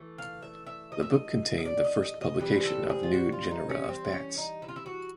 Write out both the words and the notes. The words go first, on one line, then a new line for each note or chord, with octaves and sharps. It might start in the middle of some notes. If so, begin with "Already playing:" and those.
The book contained the first publication of new genera of bats.
Already playing: E3 A3
F5
E5
E5
D#5
E5
D#5
D#5
D5
D#5
D#5
D#5
E3 G3 C4 B4
G#4
A4
G#4
F4
F#4
F4
D#4
C#4
C4
C#4
D#4
E4
F4
E4
F#4